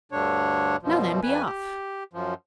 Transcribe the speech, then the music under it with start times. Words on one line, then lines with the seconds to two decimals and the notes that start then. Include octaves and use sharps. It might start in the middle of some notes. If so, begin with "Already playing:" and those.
"Now, then, be off!"
0.12 D2 G2 D3 D4 C#5
0.83 F#2 B2 F3
1.23 F2 B4 G#5
1.45 G4
2.13 F#2 F3